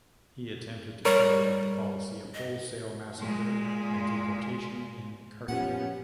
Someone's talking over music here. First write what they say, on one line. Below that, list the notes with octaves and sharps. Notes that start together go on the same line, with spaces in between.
He attempted to carry out the policy of wholesale massacre and deportation in Kartli.
G3 A#4 C#5
D#5
A#2 G#3
A#2 F3 B3 C#4 G4 F#5